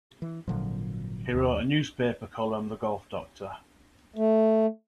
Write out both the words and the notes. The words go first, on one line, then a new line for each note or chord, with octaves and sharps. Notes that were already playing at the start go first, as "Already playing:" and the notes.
He wrote a newspaper column, The Golf Doctor.
E3
G#1 A#2 D3 F3 F#3
D#2
A3